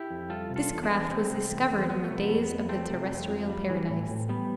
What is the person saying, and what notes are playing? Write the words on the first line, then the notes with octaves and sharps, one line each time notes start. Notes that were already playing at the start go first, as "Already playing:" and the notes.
This craft was discovered in the days of the terrestrial paradise.
Already playing: E4 G4
F2
G3 F4 A4
C3
F4 A4
E2
B3 D4
E2
D4
G3 A3 C4
C3
E2
E2
F3 B3
A3
C3
B3
F2
B3
F2
F3 A3 C4
C3
F2
F2
G3
E3
A2
A2
G3 B3